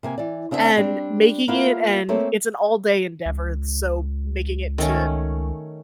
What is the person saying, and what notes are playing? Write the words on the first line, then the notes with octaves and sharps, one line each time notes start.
And making it and it's an all-day endeavor, so making it to
C3 A#3 G#5
E3 D5
C#3 C4 D4 G#4 E5 G#5
G3 C4 D4
A#3 B3 E4 F4 A#4 E5
A3 A#3 C4 A4 C#5
C#2
D#3 A3 C#4